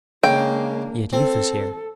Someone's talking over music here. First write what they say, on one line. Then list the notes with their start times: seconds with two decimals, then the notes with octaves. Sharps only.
Yet youth is here.
0.24 C#3 G#3 A#3 D4 G5
1.13 C4 A4